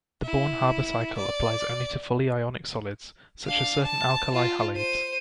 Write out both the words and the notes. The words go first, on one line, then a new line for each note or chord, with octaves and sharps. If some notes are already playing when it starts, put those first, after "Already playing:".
The Born-Haber cycle applies only to fully ionic solids such as certain alkali halides.
E4
D5
D4 F5
A5
F4 A5
C5 D#7